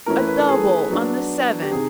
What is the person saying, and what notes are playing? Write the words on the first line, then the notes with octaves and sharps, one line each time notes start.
"A 'double' on the seven!"
E3 A3 C#4 E4 A#4
B4
B4
A4
G#4
F#3 B3 D4
G4
C3 D#3 G#4